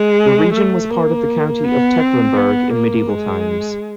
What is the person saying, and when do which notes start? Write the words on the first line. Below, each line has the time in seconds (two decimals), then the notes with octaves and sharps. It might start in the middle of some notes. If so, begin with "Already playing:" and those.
The region was part of the county of Tecklenburg in medieval times.
Already playing: G#3
0.53 A3
0.90 A#3
1.64 B3
2.00 C4
2.37 B3
2.73 A#3
3.10 G#3